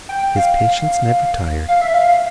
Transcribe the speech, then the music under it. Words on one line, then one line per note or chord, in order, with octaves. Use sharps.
His patience never tired.
G5
F5
F5
E5
F5